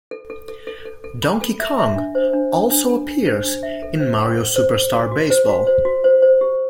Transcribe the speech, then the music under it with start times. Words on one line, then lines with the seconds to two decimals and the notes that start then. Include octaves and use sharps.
Donkey Kong also appears in "Mario Superstar Baseball".
0.11 A4
0.30 A4
0.48 A4
0.67 A4
0.85 A4
1.04 A4
1.23 B5
1.41 A4
1.60 E5
1.78 E5
1.96 D4
2.15 C5
2.33 D4
2.52 D4
2.71 D4
2.89 A4
3.08 D4
3.27 C5
3.44 D4
3.63 E5
3.83 A4
4.00 C5
4.19 F#5
4.37 A4
4.56 C5
4.74 A4
4.93 F#4
5.12 F#4
5.30 C5
5.49 F#4
5.67 C5
5.85 F#4
6.04 C5
6.22 C5
6.41 G4